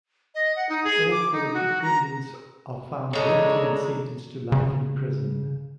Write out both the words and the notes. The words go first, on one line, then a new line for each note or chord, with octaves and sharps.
All four defendants are found guilty and sentenced to life in prison.
D#5
F#5
D#4
G#4
D6
D#4
F#4
A#5
C#3 G#3 D4 A4 C#5 A#5
C#3